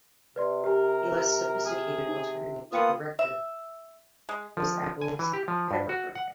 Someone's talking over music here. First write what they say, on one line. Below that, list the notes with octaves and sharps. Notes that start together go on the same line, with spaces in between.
A less-sophisticated alternative to Director was Apple's HyperCard.
C3 B4 D5 C6
G4 A#4 G#5
G#4 F6
D#4
A#3 B3 F4 B4 G5 D#6 C#7
E5
G#3
F3
G#5
E3
G4
F3
G2
F#4
F#5